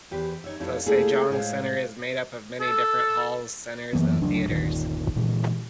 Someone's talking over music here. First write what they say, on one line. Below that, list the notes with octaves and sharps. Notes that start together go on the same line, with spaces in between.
The Sejong Center is made up of many different halls, centers and theaters.
E2 G4 B4 C5
D#4 C#5 E5
F2 G3 A3 E4 C#5 F5
G3 A3 A#3 E4 G#4 A4
A2 G#3 C5 C#5 F5
A4
F#2 E3 A#3 B3
D2 C#3 F#3 D4
G1 D#2 A#2 D#3
A#2 D3 E3 G#3